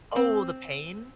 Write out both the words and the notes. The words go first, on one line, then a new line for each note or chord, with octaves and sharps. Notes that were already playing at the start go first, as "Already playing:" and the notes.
Oh, The Pain?
C4